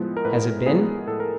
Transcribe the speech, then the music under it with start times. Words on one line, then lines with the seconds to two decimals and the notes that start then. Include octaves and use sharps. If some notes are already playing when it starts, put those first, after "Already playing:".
"Has it been?"
Already playing: A2 F3 G#3 B3 E4
0.17 A#4
0.25 A2 B4
0.66 F3 G#3 B3 E4 G#4
1.07 A2 A4
1.20 A#4